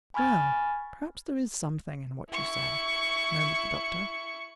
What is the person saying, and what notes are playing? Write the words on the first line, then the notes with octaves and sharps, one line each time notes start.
"Well, perhaps there is something in what you say," murmured the Doctor.
G#5 B5 C#6 F6 G#6 A6
E4 C#6